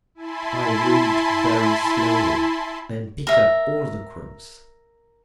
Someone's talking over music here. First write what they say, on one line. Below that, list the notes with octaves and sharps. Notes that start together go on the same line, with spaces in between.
I read very slowly and pick up all the crumbs.
E4 G#5 A5 B5 C6
A#4 E5